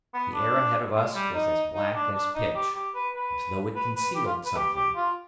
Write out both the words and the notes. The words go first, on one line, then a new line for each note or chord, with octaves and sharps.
The air ahead of us was as black as pitch, as though it concealed something.
B3
D4
G#3
G3
D#4
D#4
D4
D4
D#4
G4
G4
B4
B4
B4
B4
G4
F4
B4
G4
G4
F4